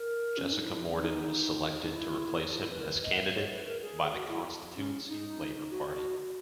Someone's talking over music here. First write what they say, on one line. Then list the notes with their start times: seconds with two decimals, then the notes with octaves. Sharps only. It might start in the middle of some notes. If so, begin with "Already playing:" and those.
Jessica Morden was selected to replace him as candidate by the Constituency Labour Party.
Already playing: A#4
0.38 C#4
0.52 D#4
0.65 E4
0.97 D#4
1.84 D#4
1.93 E4
2.55 E4
2.71 B4
2.81 A#4
2.87 B4
3.03 D#5
3.12 F#5
3.18 E5
3.34 C#5
3.51 B4
3.66 A#4
3.82 G#4
4.13 F#4
4.28 E4
4.76 C#4
5.09 D#4
5.71 F#4